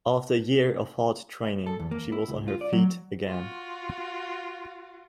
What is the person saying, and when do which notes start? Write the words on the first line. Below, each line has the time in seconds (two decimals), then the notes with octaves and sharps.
After a year of hard training, she was on her feet again.
1.66 A4
1.79 E2
1.91 A#3
2.12 E4
2.28 C#2
2.48 F4
2.61 D5
2.73 F#3
3.28 F4 F#4